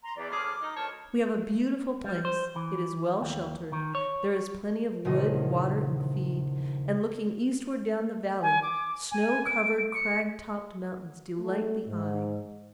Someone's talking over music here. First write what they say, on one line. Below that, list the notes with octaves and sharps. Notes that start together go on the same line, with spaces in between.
We have a beautiful place: it is well sheltered; there is plenty of wood, water, and feed; and, looking eastward down the valley, snow-covered, crag-topped mountains delight the eye.
A#5 C6
E2 D5
D2 C#4 G#4 D6 F6
D#4
D2 A#4 C#5 A5
G3
C5
E3
D#2
D#3
C#5
D#1 A#1 E2 C#3 D#5
G#5
D6
G#5
D7
C#7
A3
G#2